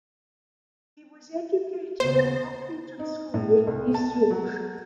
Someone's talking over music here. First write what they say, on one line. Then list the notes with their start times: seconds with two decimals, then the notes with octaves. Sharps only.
He was educated at Pocklington School, East Yorkshire.
2.00 D#2 C#3 B3 C5
2.99 D#4
3.34 A2
3.67 C2
3.94 A5
4.30 F#3